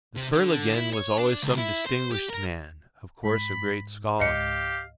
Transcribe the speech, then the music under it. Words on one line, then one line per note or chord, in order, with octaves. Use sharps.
The Fer-leginn was always some distinguished man--of course a great scholar.
C3
D3
E4
C#5
D4
C#2
E4
C5
G4
A#4
G#2 B5
C#2 G#2 G4 D#5 F5 C#7